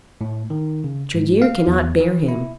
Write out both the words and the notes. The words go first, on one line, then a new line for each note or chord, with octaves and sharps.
Tregear cannot bear him.
A2
D#3
C#3
G#2
F5
E2
E3
E4